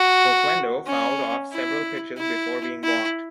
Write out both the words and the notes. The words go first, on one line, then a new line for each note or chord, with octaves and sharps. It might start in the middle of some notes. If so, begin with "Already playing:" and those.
Oquendo fouled off several pitches before being walked.
Already playing: F#4
C#4
E4
E4
E4